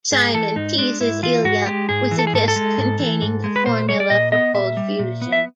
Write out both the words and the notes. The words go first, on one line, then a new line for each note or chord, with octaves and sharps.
Simon teases Ilya with the disc containing the formula for cold fusion.
G#2 G#4
E3 A4
G#2 D#4
G#3 D4
G#2 E4
E3 F4
G#2 F#4
G#3 G4
G#2 G#4
E3
A4
G#4
G#2 A4
A4
G#3
G#2
E3
G#2
G#3
B4
A#2 C5
G3 C#5
D5
A#2 D#5
B3 D#5
A#2 E5
G3
A#2
B3
E5